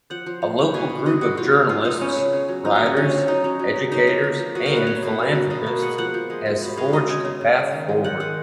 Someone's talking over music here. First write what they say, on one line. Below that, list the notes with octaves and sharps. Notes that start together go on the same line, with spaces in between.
A local group of journalists, writers, educators and philanthropists has forged a path forward.
F3 F#5
F3
F3
B3
B2 G#5
B3
B2 D#5
G#3 F#4
F3 F4
G#3
G#3 F4
F3 D#4
B3 C#4
C#3
C#3
F#3
F3 D#4
C#3 C#4
C#4
F3 C#4
F3
F#3 D#4
F#3 C#4
F#3
C#3
A#3 D#4
A#3 F4
A#3
F3
G#3 F#4
A#4
B2
B4
B2 C#5
B2
A#3
B2
B2 D#5
A#3
G#3 F#5
F3 F#5
F3
G#3
G#3
B2
G#3 F5
G#3 D#5
C#3 G#5
C#3
C#3
C#3
D#3
G#3
D#3 F#5
G#3 F#5